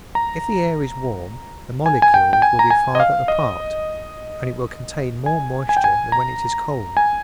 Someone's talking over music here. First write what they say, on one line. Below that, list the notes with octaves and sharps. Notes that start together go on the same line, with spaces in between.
If the air is warm the molecules will be farther apart and it will contain more moisture than when it is cold.
A#5
G#5
G#5
G5
G5
G#5
A#5
G#5
D#5
F5
D#5
G#5
G#5
G5
G#5
A#5
G#5